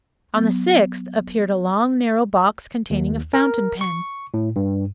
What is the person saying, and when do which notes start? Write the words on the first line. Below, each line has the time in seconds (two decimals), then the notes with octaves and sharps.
On the sixth appeared a long narrow box containing a fountain pen.
0.34 F#3 B3
2.90 D#2
3.34 A#4
3.81 C#6
4.34 A2
4.56 G2